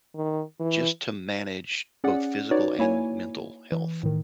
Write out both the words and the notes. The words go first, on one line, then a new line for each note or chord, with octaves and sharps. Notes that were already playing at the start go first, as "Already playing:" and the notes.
just to manage both physical and mental health
D#3
E3
C#4 G#4 D5 F#5
D#4 F#4 B4 C#5 D5
A#3 E4 C#5 G#5
E3
A2 D#3